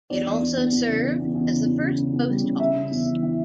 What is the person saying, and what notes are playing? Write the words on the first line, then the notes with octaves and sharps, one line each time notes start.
It also served as the first post office.
E2 D5
E2
E2
E2
E2
C#3
E2
E2
E2
C#3
E2
C#3
C#3
E2
G3
C#3
C#3 E5
C#3
E2
E3
E3